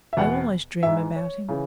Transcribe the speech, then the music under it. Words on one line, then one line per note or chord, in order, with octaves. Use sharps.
I always dream about him.
E5
E2 B2 F#5
G#2 E3 E5
C#5
C#3 E3